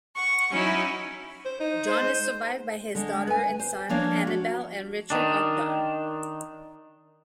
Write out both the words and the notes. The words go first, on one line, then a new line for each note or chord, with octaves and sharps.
John is survived by his daughter and son, Annabel and Richard Ogdon.
F#5 C#6
F#3 C#4 D#4 E4
C5
D#4
C5
G#3
D3 G#3
B4 G#5
C5
F3 A#3 D4 C#5
F#4
D#3 D4